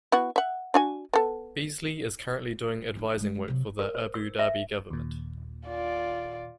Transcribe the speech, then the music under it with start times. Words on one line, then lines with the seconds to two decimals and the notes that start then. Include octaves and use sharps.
Beasley is currently doing advising work for the Abu Dhabi government.
0.12 B3 E4 F#4
0.36 E5 F#5
0.74 D4 F#4 G#5
1.13 B3 A4
2.96 D#3 D#4
3.17 D3 G#3
3.48 C3 F#3
3.79 A#4
3.95 C5
4.14 E6
4.39 E5
4.90 D#2 A#2
5.68 F4 D5